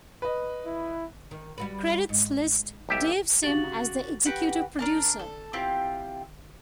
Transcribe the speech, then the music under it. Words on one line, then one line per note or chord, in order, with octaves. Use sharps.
Credits list Dave Sim as the executive producer.
B4 D#5
E4
D#3
G3 F#4 B4
G#2
B1 G4 E5
C#3 F#4 G4 A6 F#7
F#4 G4 B4
D4 A#4 A5
A4
C4 E4 F4 G4